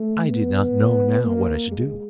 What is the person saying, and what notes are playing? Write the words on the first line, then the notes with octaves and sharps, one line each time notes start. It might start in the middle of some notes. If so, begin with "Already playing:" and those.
I did not know now what I should do.
Already playing: A3
B3
A#3
G#3